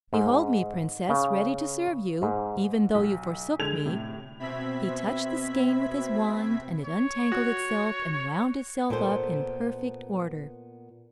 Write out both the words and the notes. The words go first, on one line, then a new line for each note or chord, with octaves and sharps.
"Behold me, princess, ready to serve you, even though you forsook me." He touched the skein with his wand, and it untangled itself, and wound itself up in perfect order.
G#2
C#3
G#2
B1
D3 G#3 D4 A4 G#6 F7
A2 C3
B2 C4 E5 B5 G#6 B6
C#5
F#4
A#2 B3 A4 C5